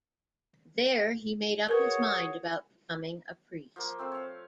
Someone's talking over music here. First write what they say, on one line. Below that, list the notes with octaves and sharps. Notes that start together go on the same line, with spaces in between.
There he made up his mind about becoming a priest.
F#4 G#4 A#4 B4 C#5
F3 A#3 F4
A3 C4 F4 C5
C#5 F5